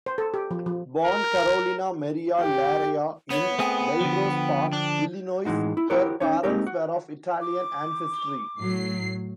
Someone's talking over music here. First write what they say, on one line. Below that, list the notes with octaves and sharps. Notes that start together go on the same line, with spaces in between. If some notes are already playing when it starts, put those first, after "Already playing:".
Born Carolina Maria Laraia in Melrose Park, Illinois, her parents were of Italian ancestry.
C5
A4
G4
F3
F3
A#4
G4
B3 C#5
A3 C4 G#4 G5
D3 F3
D4
A2 E3 G#3 D#4 F#4
E4
E4 F#4 G4 A#4 C5 C#5
C#4 D#4 C#5
G#3 A#3 C4 D#4 G4 A#4
F#4
D6
A2 F#3 C7